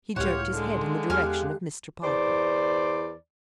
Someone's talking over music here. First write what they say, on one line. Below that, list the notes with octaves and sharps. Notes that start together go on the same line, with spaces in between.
He jerked his head in the direction of Mr. Parker.
C#2 A2 G4 C#5 F5 F#5 C6 G6
D3 G#3 C6
E2 G4 F5 G#5 F6 F#6
E2 C5 D5